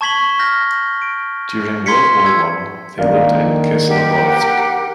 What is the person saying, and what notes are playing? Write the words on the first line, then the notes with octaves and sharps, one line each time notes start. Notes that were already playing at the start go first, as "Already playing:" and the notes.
During World War One they lived in Kislovodsk.
A5 C#6 G#6 B6 F#7 G7
F6 G6 A#6
D7
C6 G#6 B6 C#7
E6 G#6
D#3 A#3 D4 F5
G4 A#4 F#5